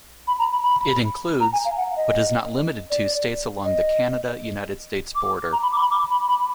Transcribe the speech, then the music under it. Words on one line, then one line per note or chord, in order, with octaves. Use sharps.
It includes, but is not limited to, states along the Canada-United States border.
B5
A#5
B5
B5
A#5
G#5
F5
F#5
D#5
D5
D#5
D6
A#5
B5
D6
B5
D6
B5
B5